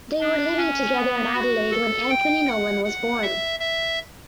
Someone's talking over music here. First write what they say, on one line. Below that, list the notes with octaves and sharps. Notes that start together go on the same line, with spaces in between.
They were living together in Adelaide when Anthony Nolan was born.
D4
C#4
B3
F#4
A4
G5
F#5
F#5
E5
E5